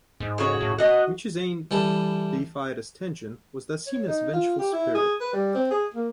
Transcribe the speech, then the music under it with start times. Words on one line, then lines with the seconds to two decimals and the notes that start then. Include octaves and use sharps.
Michizane, deified as Tenjin, was thus seen as a vengeful spirit.
0.20 G#2
0.38 C#3 F#4 C#5
0.60 A2
0.78 F#4 D#5 F#5
1.71 E3 G3 A4
3.87 C#5
4.07 D#4
4.33 F4
4.59 G4
4.73 E4
4.95 G#4
5.21 B4
5.33 G3
5.55 C4
5.71 G#4
5.94 A#3